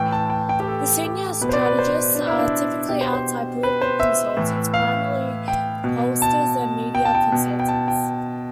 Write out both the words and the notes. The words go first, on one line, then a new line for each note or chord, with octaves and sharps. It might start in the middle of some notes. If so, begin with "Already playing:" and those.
The senior strategists are typically outside political consultants, primarily pollsters and media consultants.
Already playing: A2 E3 G5
A5
G5
G5
G4
A4
G4
B2 B4
C5
D5
B4
C5
D4
E4
D4
B2 G4
C5
C5
B4
C5
E5
A2 E3
F5
G5
B2
A5
G5
A5
G5
B2
G5
A5
G5